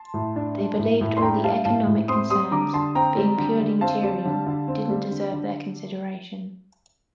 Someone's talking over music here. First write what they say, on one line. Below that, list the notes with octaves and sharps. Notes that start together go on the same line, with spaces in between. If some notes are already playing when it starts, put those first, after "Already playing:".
They believed all the economic concerns, being purely material, didn’t deserve their consideration.
Already playing: A5 C6
A2
D4
G3
A2
A2
C6
D4 G5 A#5
G3 F5 A5
A2 F5 A5
A2
C4 C6 D#6
G3 C6 D#6
D3 A#5 D6
D3 A5 C6
C4 G5 A#5
G3
D3
D3
C4 F5 A5
G3
D3
D3
C4
G3
D3
D3